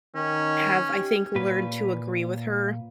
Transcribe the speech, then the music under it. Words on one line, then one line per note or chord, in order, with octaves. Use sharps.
have, I think, learned to agree with her,
D#3 C#4
G4
A#2 B4